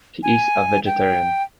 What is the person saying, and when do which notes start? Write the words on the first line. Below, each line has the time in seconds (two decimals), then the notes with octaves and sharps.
He is a vegetarian.
0.23 G#5
0.86 G5